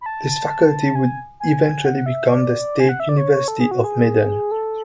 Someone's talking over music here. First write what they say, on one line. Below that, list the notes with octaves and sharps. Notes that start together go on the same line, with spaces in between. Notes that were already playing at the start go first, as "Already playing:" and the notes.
This faculty would eventually become the State University of Medan.
B5
A5
G#5
G#5
F#5
E5
D5
G#5
F#5
E5
D5
C#5
C#5
A4
G#4
F#4
G#4
A4